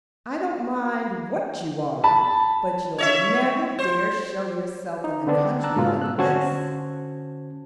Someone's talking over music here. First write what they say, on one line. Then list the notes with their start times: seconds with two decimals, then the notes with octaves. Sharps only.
"I don't mind what you are, but you'll never dare show yourself in the country like this."
2.04 A5 B5
2.98 C#5 D#5 E5
3.79 C5
5.04 D#4
5.27 D3 B3 C4 D4
5.64 A5 A#5 E6 F#6
5.76 G#2 B2 A#3 D4 F4
6.01 E6 F#6
6.18 D3 C#4 F#4 C5 A5 G#6